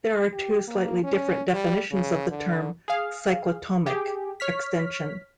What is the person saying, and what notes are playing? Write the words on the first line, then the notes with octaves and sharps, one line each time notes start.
There are two slightly different definitions of the term cyclotomic extension.
G4
A#3
C#4
G3
C#3
D3
G#4 F5
G4 G#4
C#5 F6 B6